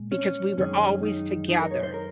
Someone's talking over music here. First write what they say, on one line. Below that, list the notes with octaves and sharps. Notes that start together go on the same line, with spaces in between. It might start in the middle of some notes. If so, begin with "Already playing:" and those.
because we were always together.
Already playing: A#2 G#3
C#4
F#2 D#3 G#3 C#4
D#4
D#4
A#4
C#5
C5
A#4